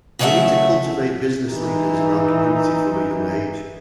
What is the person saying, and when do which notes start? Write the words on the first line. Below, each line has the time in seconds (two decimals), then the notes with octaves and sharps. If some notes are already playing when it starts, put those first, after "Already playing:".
We need to cultivate business leaders in our community from a young age.
0.19 C#3 F#3 A3 D5 E5 F#5
1.50 E3 D#4